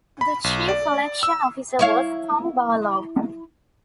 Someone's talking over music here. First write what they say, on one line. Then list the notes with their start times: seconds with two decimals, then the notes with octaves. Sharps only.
The Chief Election Officer was Tom Barlow.
0.21 B5
0.44 B1
0.68 D5
1.23 E6
1.79 E4 C#5 F5